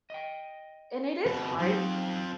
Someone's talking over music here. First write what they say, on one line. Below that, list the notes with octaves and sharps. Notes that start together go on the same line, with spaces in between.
And it is hard
D#5 G5
F2 B2
F3 F#3 C4 D#4